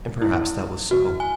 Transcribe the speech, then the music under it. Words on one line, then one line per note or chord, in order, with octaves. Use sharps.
And perhaps that was so.
E4
F#4
G#5